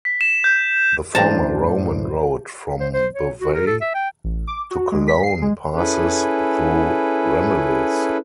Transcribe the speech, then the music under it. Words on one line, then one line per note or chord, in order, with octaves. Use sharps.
The former Roman road from Bavay to Cologne passes through Ramillies.
B6
E7
G6
F#2 A2 E3 D4 C5 A5 A#5
C5
C5
C#5
F#4
A#4
A4
E5
G5
A1
D6
F#4
G#3
B6
C7
G#3
C#4 E4 G#4 A4 B4